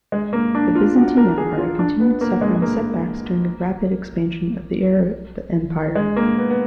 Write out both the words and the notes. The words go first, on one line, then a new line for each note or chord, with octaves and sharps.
The Byzantine Empire continued suffering setbacks during the rapid expansion of the Arab Empire.
G#3
A#3
D4
F4
F#4
A#4
G#4
F4
D4
B3
A#3
G#3
G#3
A#3
G#3
A#3
B3
B3